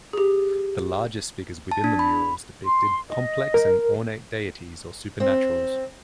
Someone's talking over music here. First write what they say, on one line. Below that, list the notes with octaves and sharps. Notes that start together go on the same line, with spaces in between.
The largest figures within the murals depicted complex and ornate deities or supernaturals.
G4 G#4
A5
D4
B5
C6
D#5
A#4
C4